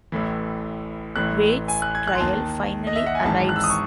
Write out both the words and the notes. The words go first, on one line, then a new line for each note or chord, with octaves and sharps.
Wade's trial finally arrives.
A1 A2 E3
A1 A2 E3 F#6
G#5
F#6
G#6
F#6
C6
D#2 D#3 A5
D#5
E5
F#5
G#5
G#1 G#2 E3 A5
F#6
E6
D#6
C#6